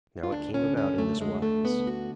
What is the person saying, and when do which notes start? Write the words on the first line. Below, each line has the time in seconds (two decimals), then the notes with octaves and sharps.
Now it came about in this wise.
0.23 F4
0.32 D2 D4
0.54 C#4
0.63 D3
0.77 C#4
0.92 D2
0.98 A3
1.20 D3 G#3
1.42 A3
1.50 D2
1.65 B3
1.79 D3
1.87 F#4